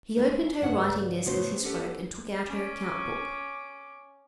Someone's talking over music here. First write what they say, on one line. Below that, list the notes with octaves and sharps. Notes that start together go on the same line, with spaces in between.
He opened her writing-desk as he spoke, and took out her account-book.
G#3 A3 D#4
G2 C#3 F#5
A2 C#3 B3 F#4 C5
C#4 G4 A4 B4 F#5
C#4 D6